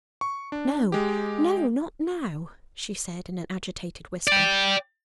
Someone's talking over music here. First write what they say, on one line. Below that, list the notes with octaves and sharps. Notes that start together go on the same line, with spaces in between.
"No no, not now!" she said in an agitated whisper.
C#6
D4
G#3 G4
D5 G5